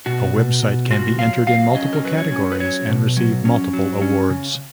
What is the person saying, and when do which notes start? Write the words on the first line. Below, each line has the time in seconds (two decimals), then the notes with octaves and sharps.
A website can be entered in multiple categories and receive multiple awards.
0.06 B2 F#4
0.34 B2
0.63 B2
0.91 F4 F#4
1.19 F#3 F5
1.47 F#3 F5
1.75 C#4 D#5
1.93 A#4
2.04 F#3 B4
2.17 C#5
2.32 C#4
2.52 B4
2.60 F#3 C#5
2.89 B2
3.17 F#3
3.45 C#4
3.73 F#3
4.02 C#4
4.30 C#3